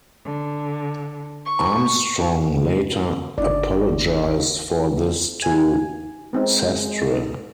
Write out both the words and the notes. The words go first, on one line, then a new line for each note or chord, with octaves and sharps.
Armstrong later apologized for this to Sastre.
D3
C#6
G1 D4 D#4 D5
G#5
G#3 B3 C4 D#4